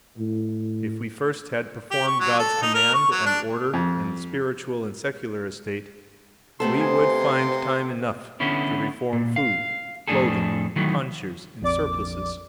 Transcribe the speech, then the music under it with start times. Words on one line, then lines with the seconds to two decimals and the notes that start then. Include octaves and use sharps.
If we first had performed God's command and order in the spiritual and secular estate we would find time enough to reform food, clothing, tonsures, and surplices.
0.18 A2
1.91 G4
2.07 C#6
2.20 F#3
2.39 A4
2.62 D#4
2.74 A#4
2.94 C#6
3.11 F#3
3.26 D4
3.74 F2
6.60 C3 A3 B3 D#4 A4 C5 C6
6.77 D#5 F5 G#5
8.40 D3 B3 C#4 E4
9.13 A#2
9.36 F5
10.07 F2 A2 D4 G#4 A4
10.76 D#3 E3 F#3 A3
11.61 A#1 F2 D5 D6